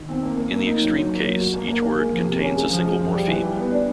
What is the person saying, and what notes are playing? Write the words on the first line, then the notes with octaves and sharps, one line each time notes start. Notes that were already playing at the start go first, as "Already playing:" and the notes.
In the extreme case, each word contains a single morpheme.
Already playing: D#3
C4
A#3
A#3
A#3
D#4
F#3
F#3
A#3
F#3
F#4
A#3
A#3
A#3
G#3
F3
C3
C#4
G#3
F3
G#3
F3
G3
E3
G3
B3
D4